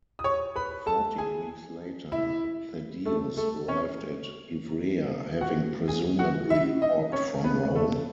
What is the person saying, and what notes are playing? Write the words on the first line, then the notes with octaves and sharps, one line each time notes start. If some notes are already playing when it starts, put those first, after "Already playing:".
Fourteen weeks later, Thaddeus arrived at Ivrea having presumably walked from Rome.
D#6
C#5 C#6
B4 B5
A4 A5
G#4 G#5
E4 E5
A3 A4
A3 A4
C#4 C#5
F#4 F#5
G#4 G#5
F#4 F#5
E4 E5
D#4 D#5
C#4 C#5
B3 B4
A3 A4